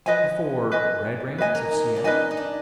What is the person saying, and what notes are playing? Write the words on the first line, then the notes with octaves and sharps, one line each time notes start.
The four red rains of Siena.
F3 B4 D#5 G#5
B4 D#5 G#5
B4 D#5 G#5
A#3
D#4
D4
D#4 B4 D#5 G#5
D#4
D4